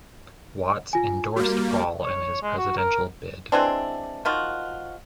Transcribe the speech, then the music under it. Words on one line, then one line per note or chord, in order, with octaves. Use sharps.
Watts endorsed Paul in his presidential bid.
F4 G#5
G3 A#3 F#4
C#5
G#3
F#4
A#4
E3 G#3 C4 D4
D#3 F3 F4 F#4